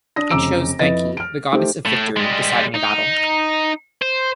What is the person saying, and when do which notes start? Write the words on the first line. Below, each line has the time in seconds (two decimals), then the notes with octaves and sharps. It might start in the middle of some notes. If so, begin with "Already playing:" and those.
It shows Nike, the goddess of victory, deciding a battle.
0.16 D4 D#6 A#6
0.31 F1 C#3 A#5 D6 E6 D7
0.79 F2 E4 B4 D#5 A6
1.17 F6 D7
1.53 A3 D#4 G4 C5
1.85 A2
2.17 G3 G#3
2.75 D#4
4.02 C5